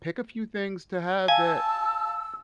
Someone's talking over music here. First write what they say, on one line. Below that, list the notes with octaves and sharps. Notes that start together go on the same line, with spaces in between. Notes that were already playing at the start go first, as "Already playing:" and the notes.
pick a few things to have that
F5 G#5 A5 E6